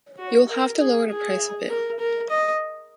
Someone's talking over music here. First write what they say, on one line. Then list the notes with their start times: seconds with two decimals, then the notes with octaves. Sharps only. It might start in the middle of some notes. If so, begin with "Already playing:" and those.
You will have to lower the price a bit.
0.19 F#4
0.49 A#4
0.79 G#4
1.09 G#4
1.69 A#4
2.00 A#4
2.30 D#5